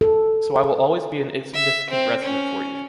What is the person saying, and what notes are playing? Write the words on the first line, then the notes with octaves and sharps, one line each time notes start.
So I will always be an insignificant resident for you!
A4
E5
C4
C#4